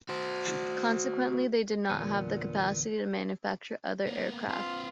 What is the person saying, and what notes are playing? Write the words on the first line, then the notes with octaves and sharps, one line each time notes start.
Consequently, they did not have the capacity to manufacture other aircraft.
F#4 C5
E2 A#2 D3 B3
A#3 B3
C4 F4 B4